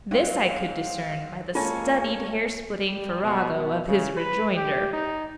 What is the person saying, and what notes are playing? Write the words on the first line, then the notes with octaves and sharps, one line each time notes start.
This I could discern by the studied hair-splitting farrago of his rejoinder.
G#2 F#3 C4 F5
G#3 A#3 C#4 F4 A4 C#5 G#5
G3
B2
B2
C#3
B4
G4
D#4